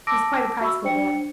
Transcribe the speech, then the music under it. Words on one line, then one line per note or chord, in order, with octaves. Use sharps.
He was quite a practical boy.
A5 D6 E6 A#6 D7
F#4 E5 B5 C#6 E6
D4 C5 G5 C#7